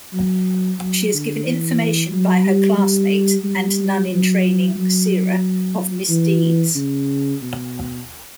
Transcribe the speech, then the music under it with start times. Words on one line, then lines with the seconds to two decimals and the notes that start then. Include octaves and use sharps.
She is given information by her classmate, and nun-in-training, Seira, of misdeeds.
0.13 F#3
0.79 F#3
1.13 D3
1.46 E3
2.13 F#3
2.45 G3
2.78 G3
3.44 G3
4.11 F#3
4.77 F#3
6.10 E3
6.75 C#3
7.42 B2